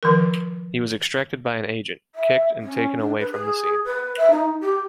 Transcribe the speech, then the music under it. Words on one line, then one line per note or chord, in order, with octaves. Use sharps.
He was extracted by an agent, kicked, and taken away from the scene.
D#3 F3 A#4
E5
C#4
D4
B4
G#4
B4
E5
D#4
G4